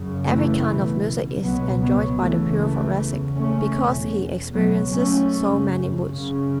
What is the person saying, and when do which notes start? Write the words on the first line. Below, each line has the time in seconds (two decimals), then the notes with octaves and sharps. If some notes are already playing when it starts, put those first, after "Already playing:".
Every kind of music is enjoyed by the pure Thoracic because he experiences so many moods.
Already playing: F#2 C#3
0.27 E3 A3
0.66 C#2 B2
1.43 C#2 B2 F#3 B3
1.82 F#3 B3
2.20 C#2 C#3 E3 A3
2.59 E3 A3
2.99 E2 C#3
3.37 A3 C#4
3.76 E2 B2
4.53 C#2 B2 F#3 B3
4.92 A3 C#4
5.31 F#2 C#3
6.09 F#2 C#3